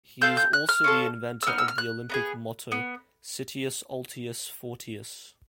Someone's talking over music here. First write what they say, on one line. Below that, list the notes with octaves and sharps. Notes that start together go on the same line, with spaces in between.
He is also the inventor of the Olympic motto "Citius altius fortius".
C4 F4 A4 G6
G6
F#6
F6
C#4 F4 A4
E6
B3 D#4 F6
E6
F6
F#6
B3 D#4 G#4
B3